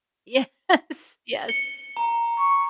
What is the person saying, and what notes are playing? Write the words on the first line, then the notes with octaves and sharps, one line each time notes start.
Yes, yes.
C#7 G7
A#5
C#6